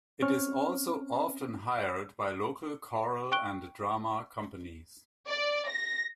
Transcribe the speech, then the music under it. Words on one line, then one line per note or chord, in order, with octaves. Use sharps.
It is also often hired by local choral and drama companies.
C4 C#4 C#6 F6
G5 C#6 F#6 D7 G7
D5
A#6